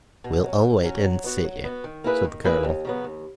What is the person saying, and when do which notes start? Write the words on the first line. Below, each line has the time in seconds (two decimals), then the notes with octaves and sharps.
"We'll all wait and see," said the colonel.
0.24 B2
0.44 F#3 C#4
0.64 B2
0.84 F#3 C#4
1.04 F#3
1.24 B3 F#4
1.44 F#3
1.64 B3 F#4
1.84 D#3
2.04 A#3 E4 G#4 B4
2.25 D#3
2.44 A#3 E4 G#4 B4
2.64 D#2
2.85 C#3 F#3 B3
3.04 D#2